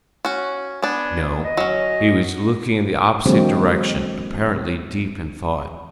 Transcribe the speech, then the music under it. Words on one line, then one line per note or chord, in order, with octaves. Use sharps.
No, he was looking in the opposite direction, apparently deep in thought.
C#4 F#4
B3 D4 G#5
D#5
F#3 C#4
D3 E3 F#3 G#3 A#3 C4